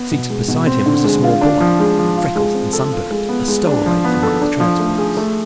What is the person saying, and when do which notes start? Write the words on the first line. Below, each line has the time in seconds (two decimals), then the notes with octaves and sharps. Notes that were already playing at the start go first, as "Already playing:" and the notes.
Seated beside him was a small boy, freckled and sunburned, a stowaway from one of the transports.
Already playing: B3
0.11 B2
0.30 G#3
0.48 B2
0.67 C4
0.86 D3
1.04 G#3
1.24 F4
1.41 D4
1.61 F3
1.80 G#3
1.99 F3
2.17 F4
2.36 G#3
2.54 C4
2.73 A4
2.92 F4
3.11 G#3
3.29 B3
3.48 G#3
3.67 D4
3.86 F3
4.04 B3
4.23 A4
4.41 D4
4.60 F3
4.80 A3
4.98 G#4
5.17 A3